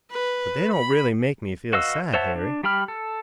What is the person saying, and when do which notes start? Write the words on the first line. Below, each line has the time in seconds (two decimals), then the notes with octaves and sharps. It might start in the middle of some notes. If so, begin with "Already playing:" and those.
But they don't really make me feel sad, Harry.
0.11 B4
0.73 B5
1.73 F#4 B4 D#5 F5 E6
2.14 C5 C#5 E5 F#5 A5
2.35 D4
2.63 G3 G4 G5 B5 F6
2.88 A4